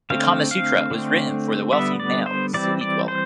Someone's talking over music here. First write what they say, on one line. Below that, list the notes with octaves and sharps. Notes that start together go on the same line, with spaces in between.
The "Kama Sutra" was written for the wealthy male city-dweller.
D3 A3 C4 F5
F5
D3 A3 C4
D3 G3 B3 E5
D5
C5
E3 G3 C4 D5
D5
C5